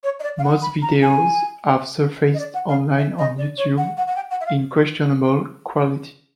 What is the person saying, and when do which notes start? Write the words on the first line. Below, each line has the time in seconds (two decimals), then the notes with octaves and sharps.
Most videos have surfaced online on YouTube in questionable quality.
0.04 C#5
0.20 D#5
0.23 D5
0.39 F5
0.44 F#5
0.62 B5
0.82 A#5
1.02 G#5
2.34 D#5
2.39 D5
2.54 F#5
2.68 F5
2.98 E5
3.19 D#5
3.38 D5
3.58 C#5
3.78 F#5
3.97 F#5
4.07 F#5
4.16 G5
4.31 F#5
4.41 E5
4.46 F5